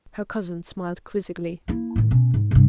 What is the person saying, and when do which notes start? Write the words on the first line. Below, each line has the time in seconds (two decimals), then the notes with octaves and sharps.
Her cousin smiled quizzically.
1.68 A#3 E4
1.96 A2 D#3
2.11 B2 C#4
2.34 G#2
2.51 G2 C3